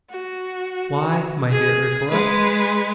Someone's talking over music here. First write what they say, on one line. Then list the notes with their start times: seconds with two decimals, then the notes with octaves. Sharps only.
"Why, my dear Ursula?"
0.11 F#4
1.52 G#4
2.11 G#3 B4